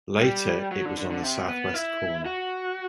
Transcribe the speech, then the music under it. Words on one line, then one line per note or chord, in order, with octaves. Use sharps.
Later it was on the southwest corner.
G3
F#3
D3
D3
D3
C3
B3
E4
F#4